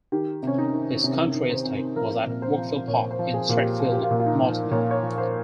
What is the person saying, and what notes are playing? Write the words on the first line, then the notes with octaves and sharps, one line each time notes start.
His country estate was at Wokefield Park in Stratfield Mortimer.
D#3 G4
C3 C#4
D#4
D#3
C3 C#4
D#3
C5
C3
F3 A#4
A#2
C5
F3
A#2 C#5
C5
F3
G#4
A#2 F4
G4
F3 F4
G4
F4
A#2
F4
D#4
F3
A#2 C#5
C#5
F3
C5